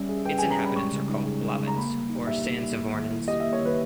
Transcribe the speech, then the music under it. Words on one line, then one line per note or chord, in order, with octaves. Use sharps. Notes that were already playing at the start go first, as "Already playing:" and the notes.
Its inhabitants are called "Blavets" or "Sansavornins".
Already playing: G3 C#4 E5
G#4
B4 G5
C#4 G#5
A#5
G3 B5
G#3 C#6
C#3
D#4
G#4
G#3
C#3
A#5
A#3 B5
G3
D#4
G4 E5
A#3
G3
A#3
D#3
E4
G4 D#5
A#3 E5
C#5
D#3 B4